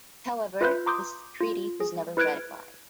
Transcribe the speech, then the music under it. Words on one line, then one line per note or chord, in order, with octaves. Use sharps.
However, this treaty was never ratified.
F4 B4 E5 B5 F#6 G6
A#5 C6 D6 D#6 G6
F4
G#4
E4 B4 F6 F#6 G#6 D7